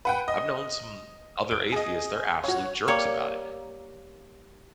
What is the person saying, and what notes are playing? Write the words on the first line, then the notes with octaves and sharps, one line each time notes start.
I've known some other atheists, they're absolute jerks about it.
B4 F#5 G5
D#5
D7
G#4 D#5
F#4 C#5
G3 A#3 C#5